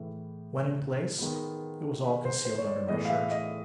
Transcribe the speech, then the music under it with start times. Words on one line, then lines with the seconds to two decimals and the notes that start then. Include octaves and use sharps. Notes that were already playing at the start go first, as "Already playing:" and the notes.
When in place it was all concealed under my shirt.
Already playing: A2 E3 G#3
1.18 D#3 G#3 B3
2.04 B4
2.25 C5
2.45 C5
2.58 C#5
2.67 D5
2.88 A2 E3 G#3 B3 D#5
3.05 F5
3.10 E5
3.31 D#5